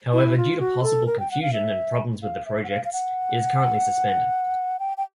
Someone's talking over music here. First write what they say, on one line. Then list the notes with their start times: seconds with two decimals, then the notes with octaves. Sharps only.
However, due to possible confusion and problems with the projects, it is currently suspended.
0.13 E4
0.37 F4
0.60 F#4
0.83 A4
1.06 A#4
1.20 G5
1.31 F#5
1.42 F5
1.53 E5
2.23 F5
2.46 E5
2.64 F#5
2.69 F5
2.85 F5
2.93 F#5
4.79 G5
4.97 G5